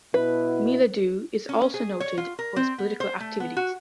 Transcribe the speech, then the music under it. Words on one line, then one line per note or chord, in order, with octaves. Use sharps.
Miladhoo is also noted for its political activities.
B2 E4 B4
C#4
G#4
C#5
F4
A#4
C4
B3
C5
A3
B3
F#4